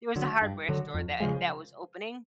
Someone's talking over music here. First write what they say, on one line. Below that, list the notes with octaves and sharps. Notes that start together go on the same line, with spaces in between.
It was a hardware store that that was opening.
D3 F#3
G2
D3 F#3
F2
C#3 F3 G#3